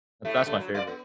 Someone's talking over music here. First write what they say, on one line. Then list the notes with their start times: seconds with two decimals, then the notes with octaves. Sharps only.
th that's my favorite.
0.25 A2 A3
0.46 G2 D3 A3
0.60 F#3
0.74 G#3 D5
0.87 B3